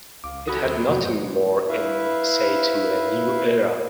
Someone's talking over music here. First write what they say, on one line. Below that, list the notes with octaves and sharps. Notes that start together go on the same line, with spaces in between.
It had nothing more in say to a new era.
C#2 F5 D6
C#4 E4 F#4 A4 B5 D#6
D#2 F#3 G#3 C4
F2 C3 B3 F#4
G#2 F#3 B3 D#4 C5
E4 B4 E5 F5